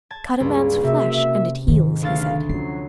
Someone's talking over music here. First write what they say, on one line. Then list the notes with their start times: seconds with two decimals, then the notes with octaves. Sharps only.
"Cut a man's flesh and it heals," he said.
0.10 A5 G#6
0.40 C#2 G2 A#2
0.83 C3 A#3 F#4 E5
1.68 G#2 D#3
2.03 A1 D2 F5 A6
2.49 F3 F#3 C#4 C7